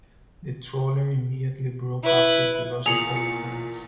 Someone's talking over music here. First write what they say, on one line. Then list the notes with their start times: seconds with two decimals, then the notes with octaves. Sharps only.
The trawler immediately broke up with the loss of all hands.
2.04 E4 B4
2.86 E2 A#2 G#4 C#7 F7
3.16 C#7